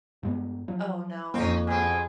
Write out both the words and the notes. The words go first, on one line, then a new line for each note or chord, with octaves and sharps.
Oh, no.
G2 G#3 B3
F3 F#3
F2 A#3 C4 C#4 D#4
B2 C4 G#4